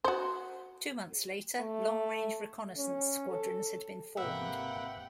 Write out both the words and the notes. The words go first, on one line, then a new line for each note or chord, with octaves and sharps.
Two months later, long-range reconnaissance squadrons had been formed.
F#4 C5
A3
C#4
A4
G#1 C3 A#3 B4 E5 F#5 G5